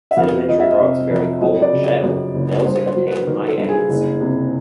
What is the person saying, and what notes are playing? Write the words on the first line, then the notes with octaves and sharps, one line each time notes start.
Sedimentary rocks bearing coal and shale may also contain high As.
E5
F2 F5
F3 D#5
E5
D#5
C3
F2
F#3 D#5
D5
C#3
C#5
F#2
F#1
G2 C5
C5
F#3
B4
D#3 A#4
A4
G2
G#4
F#1
C3